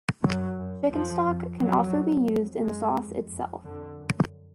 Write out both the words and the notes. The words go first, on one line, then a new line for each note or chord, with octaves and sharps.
Chicken stock can also be used in the sauce itself.
F#2 F#3
F#2
F2 F3
F2
F2 F#3
F2
F2
F#2 G#3
F2
F2
F2 D3
F#2